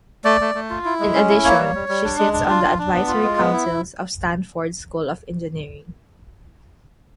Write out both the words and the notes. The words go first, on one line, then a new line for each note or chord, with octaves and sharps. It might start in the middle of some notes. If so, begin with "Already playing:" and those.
In addition, she sits on the advisory councils of Stanford's School of Engineering.
A3 D5
A3
A3
F4
E4
G#3
C#4
E4
A#3 C#5
G3
G3
G3
D4
G#3
D4
F4
D4
D4
B3
F4
G#3
B3
E4